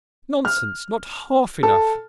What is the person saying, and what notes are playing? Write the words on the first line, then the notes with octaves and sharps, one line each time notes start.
'Nonsense! not half enough.'
F6
A4